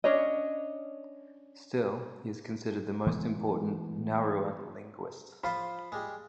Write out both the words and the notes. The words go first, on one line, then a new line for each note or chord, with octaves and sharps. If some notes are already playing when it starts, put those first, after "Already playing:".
Still, he is considered the most important Nauruan linguist.
C#4 D4 C#5 D#5
E3 G#3 A3 B3
F3 F4 C5 B5
G3 G#3